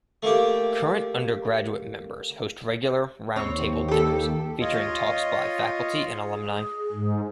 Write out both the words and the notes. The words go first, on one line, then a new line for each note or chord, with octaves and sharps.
Current undergraduate members host regular "Roundtable Dinners" featuring talks by faculty and alumni.
A3 A#3 G4
D#2 C4 C#5
G4 A4
F4 C#5 D#5
G#4
G#2